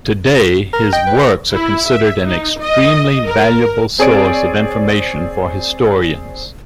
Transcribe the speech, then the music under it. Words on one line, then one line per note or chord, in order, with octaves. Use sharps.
Today his works are considered an extremely valuable source of information for historians.
A#4
D#5 G5
B4
E4
E5
D#4
D#5
A#4
C4 G#4 C#5 D5 D7